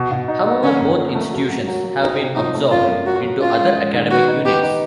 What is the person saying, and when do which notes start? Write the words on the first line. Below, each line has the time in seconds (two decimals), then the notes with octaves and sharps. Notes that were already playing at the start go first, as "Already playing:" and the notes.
However, both institutions have been absorbed into other academic units.
Already playing: B2
0.11 B2
0.28 D#4
0.46 A#3
0.63 D3 C#4
0.80 F#2
0.98 F3
1.15 A3
1.33 F#3
1.50 F#3
1.68 F#3
1.84 F#3
2.01 C4 D#4
2.20 C3
2.36 F3 D#4
2.55 A3
2.71 F#2 F4
2.88 F#2
3.06 F#3 F#4
3.23 F#3
3.41 C#4 F4
3.59 G#3
3.75 G#3
3.94 D#3
4.10 B3 F#4
4.28 D#4
4.45 B3 G4
4.63 D#4